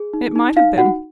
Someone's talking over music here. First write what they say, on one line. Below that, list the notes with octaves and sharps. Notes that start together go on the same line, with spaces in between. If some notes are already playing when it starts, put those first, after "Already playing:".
It might have been.'
Already playing: G#4
D#4
D#4
D#4 F5
D#4 F#4 F#5